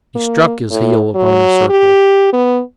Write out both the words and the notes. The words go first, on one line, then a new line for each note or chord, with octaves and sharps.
He struck his heel upon the circle.
A#3
A2
F#3
G4
B3